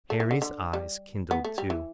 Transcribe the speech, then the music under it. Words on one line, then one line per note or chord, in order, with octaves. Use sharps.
Harry's eyes kindled, too.
A3
E3
D3
D3
G3
B3
A3
G3
E3